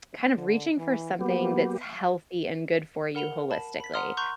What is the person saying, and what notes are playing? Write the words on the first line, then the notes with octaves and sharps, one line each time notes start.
kind of reaching for something that's healthy and good for you holistically,
D3
E3
F#3 A#3 B3 G4
A#4 F#5 B5 F7 G7
A5 B5
B5 B6
F#5 A#5 C6 D#6 F6
A#5 C6 C#6 F#6 G6